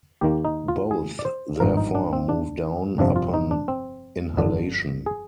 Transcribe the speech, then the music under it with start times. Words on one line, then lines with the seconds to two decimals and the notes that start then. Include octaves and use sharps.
Both, therefore, move down upon inhalation.
0.21 D#2 D#3 A#3 G4
0.45 D#4
0.68 F4
0.91 G#4
1.19 D5
1.25 C5
1.60 G#1 G2 F3 A#4
1.77 D#4
1.95 D4
2.13 C4
2.29 D4
2.98 G1 F2 C3 F3 D4
3.16 F4
3.34 D#4
3.51 D4
3.68 C4
4.37 G1 F2 D3 D4
5.06 G#4